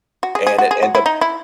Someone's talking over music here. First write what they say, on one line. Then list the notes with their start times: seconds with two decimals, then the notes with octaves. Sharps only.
and it and the
0.23 F#4
0.35 G#4
0.47 G#4
0.58 F#4
0.71 G#4
0.83 F#4
0.95 E4
1.06 D#4
1.21 E4